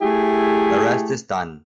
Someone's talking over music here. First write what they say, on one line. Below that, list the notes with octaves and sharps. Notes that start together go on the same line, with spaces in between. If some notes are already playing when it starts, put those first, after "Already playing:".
The rest is done.
A3 E4 G4 G#4